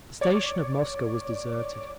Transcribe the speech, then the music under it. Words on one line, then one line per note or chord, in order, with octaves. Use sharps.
The station at Moscow was deserted.
C#5 D5 D6